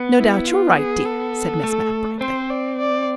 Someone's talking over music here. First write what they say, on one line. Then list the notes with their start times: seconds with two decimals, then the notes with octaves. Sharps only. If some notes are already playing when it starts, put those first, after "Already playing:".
"No doubt you're right, dear," said Miss Mapp brightly.
Already playing: B3
0.18 E4
0.47 F4
0.76 G#4
1.06 A4
1.64 A3
2.21 C4 C5
2.50 D5
2.79 D5